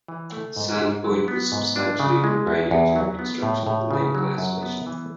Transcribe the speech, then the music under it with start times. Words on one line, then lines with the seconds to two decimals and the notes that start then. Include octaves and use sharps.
Sand Point was substantially regraded during construction of the naval air station.
0.08 E3
0.32 A3
0.57 G#2
0.80 G#2
1.04 F#3
1.28 B3
1.52 G#2
1.76 D4
2.00 C#3
2.24 G#3
2.47 E2
2.71 E2
2.96 F#3
3.19 B3
3.43 A2
3.67 A2
3.91 C#3
4.15 F#3
4.38 F#2
4.63 B3
4.86 E3